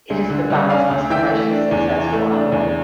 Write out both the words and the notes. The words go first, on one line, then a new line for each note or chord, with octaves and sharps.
It is the band's most commercially successful album.
D2
D3
G3
C#4 D5 F5
D2
E3 E5 G5
A3
D4
E2
E3
A3
D4
E2